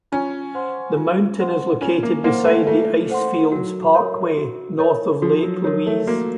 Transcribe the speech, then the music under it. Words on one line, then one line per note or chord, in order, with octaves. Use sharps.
The mountain is located beside the Icefields Parkway, north of Lake Louise.
C#4 F4
C5 F#5 C6
F4
C5 F#5 C6
C#4 F4
A#3
A#3 C5 F#5 C6
A3
A3 F4
C5 F#5 C6
F#3 F#4
A#4 C#5
F#4
A#4 C#5
F3 F#4
F#3
F#3 A#4 C#5
A3
A#3 F#4